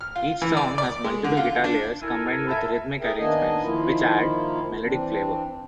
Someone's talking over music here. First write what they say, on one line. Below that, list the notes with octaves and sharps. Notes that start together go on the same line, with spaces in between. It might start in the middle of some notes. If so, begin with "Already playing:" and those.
Each song has multiple guitar layers combined with rhythmic arrangements, which add "melodic flavor".
F6
F4
E3
D5
D5
G#3
D3
F4
D4
E4 A4 A#4 G#5
E5 A5 B5
G#4 A#4 E5 G5 G#5
D#3 A#3 B3 D4 D#5 G#5
D#3 F3 A#3 E4 F4
E3 C4 D4